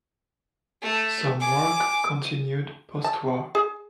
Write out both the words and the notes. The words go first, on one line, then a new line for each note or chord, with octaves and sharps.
Some work continued postwar.
A3
G#5 D6
A5
G#4